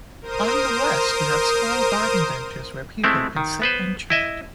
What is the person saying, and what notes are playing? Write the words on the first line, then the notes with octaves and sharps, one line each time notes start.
On the west you have small garden benches where people can sit and chat.
A#4 C5 D#6
G#3 A3 C4 E4
D#3
B3 B4 C5
E4 D#5 E5